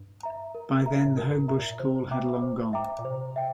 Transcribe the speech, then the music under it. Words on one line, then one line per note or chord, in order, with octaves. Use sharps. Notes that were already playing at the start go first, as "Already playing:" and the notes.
By then the Homebush School had long gone.
Already playing: G2
E5 A#5
A#4
E5 A#5
A2
G2 A#4
G2
A2
E5 A#5
A#2
C3 C5
E5 G5 A#5 D6
C5
E5 G5 A#5 D6
A#2
C3 C5
E5 G5